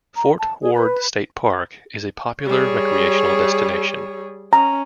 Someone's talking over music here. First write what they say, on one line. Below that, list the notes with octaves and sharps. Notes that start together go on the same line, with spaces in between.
Fort Ward State Park is a popular recreational destination.
A#5
A5
G#4
B4
G3 G#4 C#5
C#4 A#5